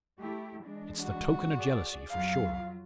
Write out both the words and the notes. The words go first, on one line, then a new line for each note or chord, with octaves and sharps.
It's the token o' jealousy for sure.
A3 E4 G4
E3 G#3 D4
F#4
G#4 D5
F2 F#3 F4 F5